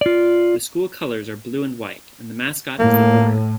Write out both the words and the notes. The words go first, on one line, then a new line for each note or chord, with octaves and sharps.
The school colors are blue and white, and the mascot is the Warrior.
F4 D5
A2 A#3